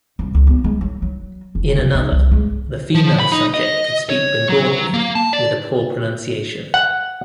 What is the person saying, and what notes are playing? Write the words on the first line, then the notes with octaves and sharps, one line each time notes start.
In another, the female subject could speak Bengali with a poor pronunciation.
C2
C#2
B3
G#3
F#3
F#3
F1
F3
D#4
C2
G#3
F3
B5
D#4
D#5
C#5
F#3
A#3
A5
D5
F#5